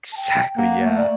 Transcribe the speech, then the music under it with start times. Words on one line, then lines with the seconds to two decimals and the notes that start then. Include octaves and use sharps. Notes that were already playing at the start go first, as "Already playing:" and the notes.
Exactly, yeah.
0.12 A5
0.17 G5
0.57 A#3 F#5
0.83 A3
0.97 D5